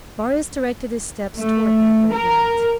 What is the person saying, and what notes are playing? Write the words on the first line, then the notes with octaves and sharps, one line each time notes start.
Marius directed his steps towards that red light.
A3
A#4